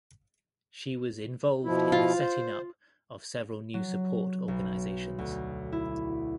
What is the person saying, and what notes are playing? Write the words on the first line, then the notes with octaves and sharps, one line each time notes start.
She was involved in the setting up of several new support organisations.
B2 F3 E4
F4
C5
F#3
B1
D2
E4